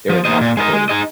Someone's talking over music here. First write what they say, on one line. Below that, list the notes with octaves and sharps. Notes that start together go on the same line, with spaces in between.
they were not supportive.
F3
A#3 D#4 C5 D#5
A#2
G#3 D#4 A#4 D#5
G#3
D#4 G#4 D#5